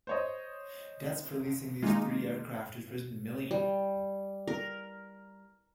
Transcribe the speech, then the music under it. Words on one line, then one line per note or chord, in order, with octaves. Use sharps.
Debts for leasing these three aircraft had risen to million.
C5 C#5 D#5
D#3 G#3 A#3 D#4 F4
G3
A#4